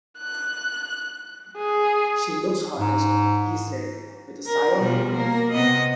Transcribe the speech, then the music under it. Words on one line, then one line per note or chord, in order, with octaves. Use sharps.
"She looks honest," he said, with a sigh of relief.
F#6
G#4
G#2
A#4
B2 F3 G3
A#3 A#4
C3 B3 D#5